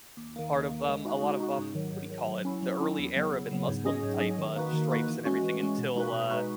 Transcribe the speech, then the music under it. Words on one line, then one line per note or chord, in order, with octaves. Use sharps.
part of um, a lot of, um, what do you call it? The early Arab and Muslim type, uh, stripes and everything until, uh
D#2
D#3 A#3
D#2
D#3 A#3
G#3
D#4 F#4
G#3
D#4 F#4
G#2
D#3 F#3
G#2
D#3 F#3
F#3
C#4 E4
F#3
C#4 E4
E2
C#3 F#3 B3
E2
C#3 F#3 B3
G#2
F#3 C#4 G#4 D#5
G#2
F#3 C#4 G#4 D#5
D#3
A#3 D#4 F#4 B4
D#3
A#3 D#4 F#4 B4
E3
G#3 C#4 F#4
E3
G#3 C#4 F#4
B2
G#3 D#4 F#4 B4
B2
G#3 D#4 F#4 B4